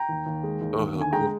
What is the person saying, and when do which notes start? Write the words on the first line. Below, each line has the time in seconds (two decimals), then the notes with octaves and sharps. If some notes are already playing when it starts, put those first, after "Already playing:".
Oh, how cool.
Already playing: G5 A#5
0.09 D#2
0.26 D#2
0.43 G#3
0.61 D#2
0.78 D#2
0.95 D3
1.01 G#5
1.12 G#3 G5 A#5